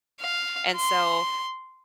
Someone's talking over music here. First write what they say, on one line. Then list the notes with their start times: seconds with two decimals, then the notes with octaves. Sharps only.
and so,
0.21 F5
0.76 C6